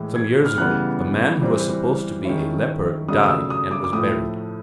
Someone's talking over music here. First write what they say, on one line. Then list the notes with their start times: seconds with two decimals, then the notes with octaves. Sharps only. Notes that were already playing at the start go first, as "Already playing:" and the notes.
Some years ago, a man who was supposed to be a leper died, and was buried.
Already playing: A2 E3 G#3
0.16 G#6
0.46 F6
0.58 C#3 E3 G3 B3 F#6
1.41 E3 G3 C4
2.25 D#3 G#3 C#4 E4
3.08 C#3 F#3 A3 D4 D#6
3.24 D#6
3.30 E6
3.50 D#6
3.71 D6
3.84 D6
3.92 A2 F3 A3 D#6